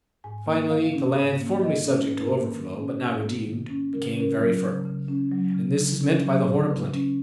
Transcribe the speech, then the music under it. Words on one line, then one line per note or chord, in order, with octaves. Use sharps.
Finally, the lands formerly subject to overflow, but now redeemed, became very fertile, and this is meant by the horn of plenty.
G#2 G#5
A#3
D#3 F5
C#4
G#2
A#3
D#3 D#5
C#4
G#2 B4
A#4
A#3 B4
D#3
C#4
G#2
A#3
D#3
C#4
C#3 A#4
B4
C#4 A#4
F#3 A#4
C#3
C#3
C#4
F#3
C#3
C#3
C#4
F#3
C#3
C#3 B4
C#4